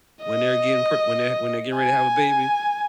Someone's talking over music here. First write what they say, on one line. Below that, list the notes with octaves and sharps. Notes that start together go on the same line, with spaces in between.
when they're getting pre when they're when they're getting ready to have a baby.
D#5
G#5